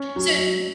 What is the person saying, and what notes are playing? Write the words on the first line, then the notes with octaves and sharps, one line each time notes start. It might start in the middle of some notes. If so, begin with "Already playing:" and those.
So, d
Already playing: C#4
F#3